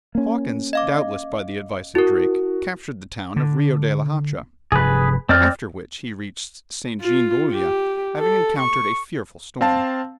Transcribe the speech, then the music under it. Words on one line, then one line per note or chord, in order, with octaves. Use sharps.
Hawkins, doubtless by the advice of Drake, captured the town of Rio de la Hacha; after which he reached St. Jean d'Ulloa, having encountered a fearful storm.
A#3 C#4
D#5 F5 D6
E4 F#4 A#4
D3
F1 G2 G#4 B4
F2 C4 D5 F6
F4
G4
A4
C#6
C4 F5 A5